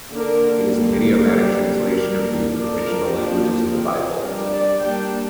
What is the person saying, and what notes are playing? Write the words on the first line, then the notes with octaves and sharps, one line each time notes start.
It is an idiomatic translation of the original languages of the Bible.
D3 A#3 D4 A#4
D3 G3 A#3
A#4
G3 A#3 D4 G4
G3 A#3 D4 A#4
A#4
F3 D4 A#4
A#4
F3 A#3 D4 G4
G4
F3 C4 A#4
G3 D4 A#4
D5
G3 A#3 D4 G5